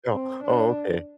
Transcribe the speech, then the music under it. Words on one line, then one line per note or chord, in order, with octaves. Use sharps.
Oh oh, okay.
C4
D4